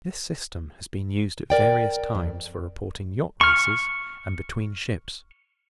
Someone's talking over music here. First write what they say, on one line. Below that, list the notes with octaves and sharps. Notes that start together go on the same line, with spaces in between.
This system has been used at various times for reporting yacht-races, and between ships.
A#4 D5 G5
F2
C#6 F6